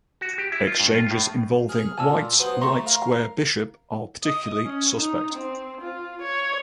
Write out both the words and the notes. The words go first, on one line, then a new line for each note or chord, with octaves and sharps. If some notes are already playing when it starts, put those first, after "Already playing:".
Exchanges involving White's light-square bishop are particularly suspect.
F#4
G4
E4
F4
G2
F4
A2
G#4 F6
A#2 G#5 A5 E6
F4
F#3 B3 C5 D#6
A3 A#5 C6 C#6
A#4 F5
D#5
C#4
D#4
C4
F4
C#5